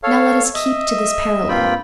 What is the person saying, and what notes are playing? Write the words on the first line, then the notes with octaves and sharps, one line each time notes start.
Now let us keep to this parallel.
A4 C#5 F5
D#5 E5
G2 A#3 C4 F4 G5 B5